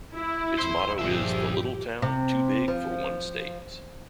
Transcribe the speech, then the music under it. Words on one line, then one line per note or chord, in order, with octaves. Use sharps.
Its motto is The Little Town Too Big for One State.
E4
F2 C5
G1 A#2 F3 G4 G#4 E5
C3
F3